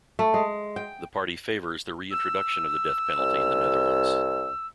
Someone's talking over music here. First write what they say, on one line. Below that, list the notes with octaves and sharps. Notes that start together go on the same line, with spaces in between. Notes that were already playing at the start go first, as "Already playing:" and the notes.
The party favours the re-introduction of the death penalty in the Netherlands.
A3
G#3
G5
E6
C2